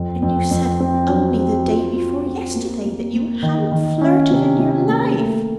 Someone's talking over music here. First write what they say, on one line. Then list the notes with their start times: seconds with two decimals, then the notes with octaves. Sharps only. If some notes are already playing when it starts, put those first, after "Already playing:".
"And you said only the day before yesterday that you hadn't flirted in your life!"
Already playing: F2
0.22 F2
0.51 F2
0.80 C4
1.09 F#3
1.39 C4
1.68 F4
1.97 F4
2.26 C4
2.55 A#3
2.85 A#3
3.13 A#3
3.43 D#3
3.72 D#3
4.01 C#4
4.31 C3
4.59 C3
4.88 A#3
5.17 A3